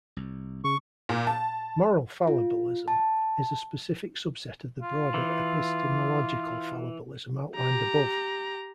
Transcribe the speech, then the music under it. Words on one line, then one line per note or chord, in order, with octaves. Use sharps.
Moral fallibilism is a specific subset of the broader epistemological fallibilism outlined above.
C2
C#3 C#6
A#2
A5
F4
A5
F4
E3
G4 A#5